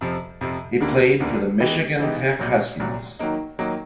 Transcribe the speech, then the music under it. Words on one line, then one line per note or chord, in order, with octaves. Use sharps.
He played for the Michigan Tech Huskies.
F2 C3 F3
F2 C3 F3
D2 D3 G3 A#3
D2 D3 G3 A#3
E3 G#3 B3 D#4 G4
E3 G#3 B3 D#4 G4
C2 A#2 F#3
C2 A#2 F#3
D#3 F#3 A#3 D#4
D#3 F#3 A#3 D#4